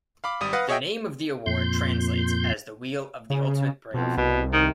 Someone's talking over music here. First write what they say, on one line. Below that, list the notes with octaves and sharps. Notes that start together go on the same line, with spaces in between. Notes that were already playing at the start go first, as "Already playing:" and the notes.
The name of the award translates as the "Wheel of the Ultimate Brave".
F5 B5 D6
G#1 G3 D#6 D#7
B4 F5 F#5 D#6 A#6
F#4 G#4 C#5 D#5 E5 G5
F2 A#2 C6 G6
C#3
F2 B2
C2 B2
D#3